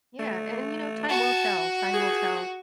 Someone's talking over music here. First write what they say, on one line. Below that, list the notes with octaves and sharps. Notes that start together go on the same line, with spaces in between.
Yeah. And, you know, time will tell. Time will tell
A3
F#4 A5
G#4